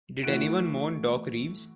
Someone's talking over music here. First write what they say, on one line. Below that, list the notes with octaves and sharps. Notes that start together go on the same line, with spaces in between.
Did anyone mourn Doc Reeves?
E3 A3 E4 F#4 F#6 D7